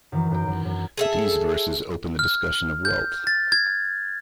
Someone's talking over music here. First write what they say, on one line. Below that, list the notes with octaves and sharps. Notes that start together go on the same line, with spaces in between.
These verses open the discussion of wealth.
F#2 D#3 E3
F#2 G6 D7
F#2
F#2
G#4 A4 E5
F6
G6
A6
G#6